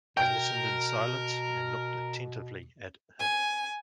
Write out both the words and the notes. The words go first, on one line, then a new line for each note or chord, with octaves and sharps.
I listened in silence and looked attentively at him.
B2 A#4 G5
G#5